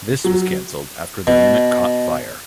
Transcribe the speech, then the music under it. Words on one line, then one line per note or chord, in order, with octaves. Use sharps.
This was cancelled after the unit caught fire.
F#3
B2